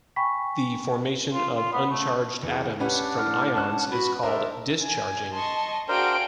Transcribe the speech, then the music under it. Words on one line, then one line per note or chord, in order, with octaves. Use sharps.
The formation of uncharged atoms from ions is called discharging.
G5 G#5 B5 C#6 B6
F4
F4
B3
A3
E2 C#3
C#4 D4 G4 B4 F#5
A2 F6
G#2 C#4 A5 F#6
B3 F#4 B5
D4 A#4 C5 D#5 E5 A#5
G#5
D#5 A5 C6 C#6
D4 F#4 G#4 A#4 C5 F5 G5 D7